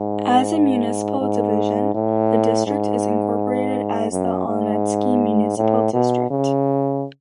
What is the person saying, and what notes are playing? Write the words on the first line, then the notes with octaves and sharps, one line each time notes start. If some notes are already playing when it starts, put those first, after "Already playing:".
As a municipal division, the district is incorporated as Olonetsky Municipal District.
Already playing: G#2
G#2
A2
G#2
F#2
G#2
A2
B2
C#3